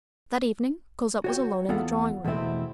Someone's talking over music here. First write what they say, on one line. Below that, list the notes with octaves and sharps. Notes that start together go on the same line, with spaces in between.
That evening, Cosette was alone in the drawing-room.
F#4 C#5 G5
E2 B3 F4 A4 F#5
E2 B2 A3 C4 E4